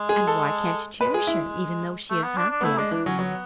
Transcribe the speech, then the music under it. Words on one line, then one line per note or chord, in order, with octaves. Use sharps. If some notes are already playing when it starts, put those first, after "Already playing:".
"And why can't you cherish her, even though she is happy?" asked Mary.
Already playing: G#3
G#4
A4
G#3 B4
G#4
E4
A3
B3
D4
D4
B3
A3 E4
G#3 D4
E3 D4
F#3 C#4
F#3 B3